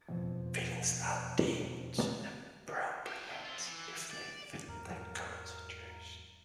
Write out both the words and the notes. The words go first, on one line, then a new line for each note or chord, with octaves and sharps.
Feelings are deemed appropriate if they fit the current situation.
E1 F2
G5 A5
C3 D#3
C4 F4
E3
D5
E2 G#2 F#3 A#4